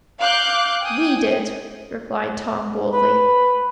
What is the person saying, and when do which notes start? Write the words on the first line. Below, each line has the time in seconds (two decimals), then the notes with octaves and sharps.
"We did," replied Tom boldly.
0.21 F5 D6 F#6 G6
0.82 G5 G#5 D#6
2.93 B4